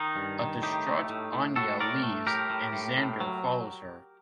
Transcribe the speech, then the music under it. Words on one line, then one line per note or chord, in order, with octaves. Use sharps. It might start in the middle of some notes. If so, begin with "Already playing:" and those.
A distraught Anya leaves and Xander follows her.
Already playing: D#3 D#4
G2
D#3
A2 D#4 G4
A3
A2
A2
A2 F#4 A4
A3 A#4 D5
A3
A2 G4 A#4
A2
A2
A2
F#3